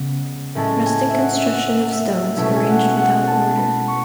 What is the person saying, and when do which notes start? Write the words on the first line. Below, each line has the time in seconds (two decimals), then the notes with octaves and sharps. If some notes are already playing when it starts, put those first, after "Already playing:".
Rustic construction of stones arranged without order.
Already playing: C#3 G#3 B3
0.55 A2 G#3 C#4 E4 A5
0.86 G#5
1.09 E5
1.16 F#5
1.38 E5
1.46 F#5
1.92 E5
2.36 B2 A3 C#4 E4 E5
2.56 G#5
2.67 F#5
2.97 F#5
3.27 A5
3.57 B5
3.87 C#6